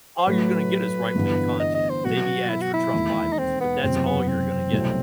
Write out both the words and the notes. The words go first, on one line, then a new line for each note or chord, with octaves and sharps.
all you're gonna get is right-wing content, maybe ads for Trump Bibles, but that's all you're gonna get.
C5
A2 F#3 A3 B4
G1 G2 E3 B3
D#5
D#5
C5
B2 F#3 B3 F#4
E4
F#4
E4
E1 D#2 D#3 A3
D#4
C4
B3
F#1 E2 C3 F#3 C4
B3
C4
C2 B2 F#3 A3